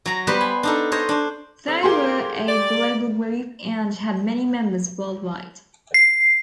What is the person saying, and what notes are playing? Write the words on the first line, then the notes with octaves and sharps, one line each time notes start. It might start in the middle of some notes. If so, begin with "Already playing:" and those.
They were a global group and had many members worldwide.
F#3 A#5
G3 B3 G4 B4 C5
G#5
D4 D#4 A4
C5 C#5 D#5
D4 C5
D3 G3 C4
F2 A#3 G4 G#4 A#4 C6
D5
C7